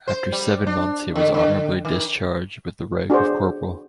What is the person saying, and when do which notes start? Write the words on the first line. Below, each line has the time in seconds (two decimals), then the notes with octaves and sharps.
After seven months he was honorably discharged with the rank of corporal.
0.08 C5
0.33 G3
0.67 D4
1.15 D3
1.34 D3
1.85 D#3
3.10 D4 F#4 G#4 C5